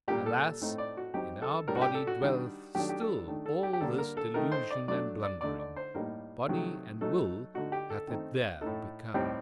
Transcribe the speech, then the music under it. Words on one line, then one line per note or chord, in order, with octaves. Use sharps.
Alas! in our body dwelleth still all this delusion and blundering: body and will hath it there become.
A#2 G3 A#3 G4
A4
A4
A2 A3 C4 D#4
D5
F#4
F#3 C4 D#4 G4
A4
A2 G3 D4 A#4
F#4
G4
A4
F#4
D#3 G3 D4
D#3 F#3 A3 D4 G4
G4
A4
D#3 A3 D4
A4
G4
G4
D3 G3 A#3 D4 A4
A#4
A4
D#3 A3 D#4 A#4
C5
D5
F#3 A3 D4 D5
D5
D3 A3 D#4 D5
D5
C5
A2 G3 A#3 D#4 A#4
C3 D#3 F#3 A3
F#3 A3 D#4 A4
D3 A3 D#4 F#4
G4
A4
D#3 A3 C4 D#4
A2 A3 D#4 A4
A2 G3 C4 D#4 G4